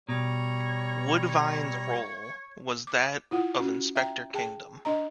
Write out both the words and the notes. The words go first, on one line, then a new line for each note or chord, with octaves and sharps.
Woodvine's role was that of Inspector Kingdom.
B2 G3 C#5 A#5
D6
E4 F4 F#5
C#4 F#4
E5 G5 A#5
G#4 G5 A5
D4 D#5 A#5